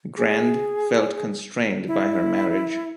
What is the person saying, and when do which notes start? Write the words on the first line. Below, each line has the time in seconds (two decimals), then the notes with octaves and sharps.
Grand felt constrained by her marriage.
0.17 G#4
1.87 E4